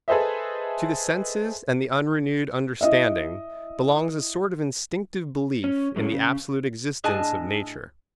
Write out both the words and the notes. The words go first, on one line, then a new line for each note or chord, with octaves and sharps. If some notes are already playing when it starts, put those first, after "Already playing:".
To the senses and the unrenewed understanding, belongs a sort of instinctive belief in the absolute existence of nature.
G#4 A4 B4 C5 D#5 E5
E4 D#5 E5
C#4
F#2 G#3 A3 C#4
C#3
A2 D4 G#4 D#5 G#5 A5